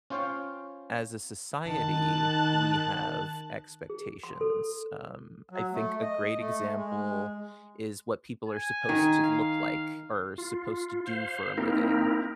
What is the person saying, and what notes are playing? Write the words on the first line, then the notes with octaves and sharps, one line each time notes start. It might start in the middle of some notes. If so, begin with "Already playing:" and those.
as a society, we have expectations. Um, I think a great example is what people are supposed to look like or supposed to do for a living.
C#4 F4 C5 C#5 F5 G5
D#3 A5 F#6
G#4
C6
A4
F#3
A3
D#5
A3
G#3
G#5
D#3
F5
F4
C5 F5
A#3 C4 D#4 E4 A#4